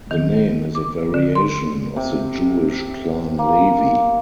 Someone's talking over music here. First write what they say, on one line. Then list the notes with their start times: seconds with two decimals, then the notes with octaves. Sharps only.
The name is a variation of the Jewish clan Levi.
0.11 D#3
0.75 D6
1.14 D3
1.35 C6
1.96 C3
3.38 A#3